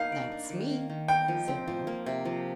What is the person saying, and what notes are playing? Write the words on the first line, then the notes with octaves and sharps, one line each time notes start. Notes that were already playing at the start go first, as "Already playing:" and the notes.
"That's me!" said Bill.
Already playing: A#3 D#4 A#4 F5
D5
D4
D#3
A#3
D#3
D#4 G5
F3
C4
F3
A#3
C3
F3